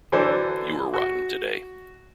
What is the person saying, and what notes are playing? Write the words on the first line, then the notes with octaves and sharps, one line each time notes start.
You were rotten today.
D3 E3 F#3 A4 C5 D5
F#4